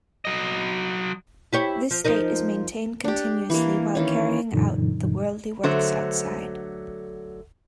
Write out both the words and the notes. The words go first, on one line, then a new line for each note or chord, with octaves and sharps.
This state is maintained continuously while carrying out the worldly works outside.
F#3 D#5
E4 G4 C#5
F3
F3 D#4 A#4
D4 G4
E3 A#3
D#3 E3 C#4
F#2 A#2 D3 E3 F#3 D#4
D3 F#3 A3 C5